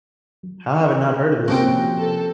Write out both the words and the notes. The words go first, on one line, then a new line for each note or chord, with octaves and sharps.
How have I not heard of this?
C3 F3 A#3 C4 C#4 F#4 G4 G5
A4